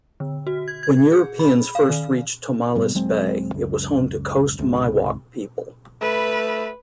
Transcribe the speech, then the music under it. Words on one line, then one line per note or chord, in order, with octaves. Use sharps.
When Europeans first reached Tomales Bay, it was home to Coast Miwok people.
D3
F#4
G#6
G#6
G#4
B5
F5
D#3
G#2 B2 G3 B3
D#1 F#3 G#3 C4
C#2 F#2
C#2 G#2 C3
A3 B4 B5